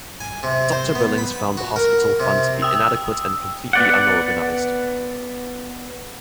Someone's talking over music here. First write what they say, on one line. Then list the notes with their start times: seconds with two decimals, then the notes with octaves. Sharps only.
Doctor Billings found the hospital fund to be inadequate and completely unorganized.
0.20 G#5
0.43 C3
0.72 C5
0.95 B3
1.18 B5
1.57 F#4
1.76 A#4
2.20 C3
2.62 G5 D#6 E6
3.73 B3 D5 F#5